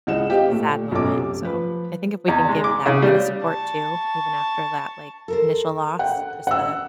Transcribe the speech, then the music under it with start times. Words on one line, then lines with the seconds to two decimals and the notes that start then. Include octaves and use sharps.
it wasn't a sad moment, so, I think if we can give that kind of support too, even after that, like, initial loss, just the
0.07 C#2 E4 D#5 F#5 E7
0.29 C4 G4 D#5 F5
0.49 A#2 A3
0.91 B1 F#2 C#4 A4 D6
1.13 C3
1.42 F3 B4
2.28 E2
2.49 G#3
2.64 D6
2.86 C#3
3.02 G3
3.43 A5 C#6
5.28 A4 A#4 C5
5.99 F#5 G5
6.47 F#5 E6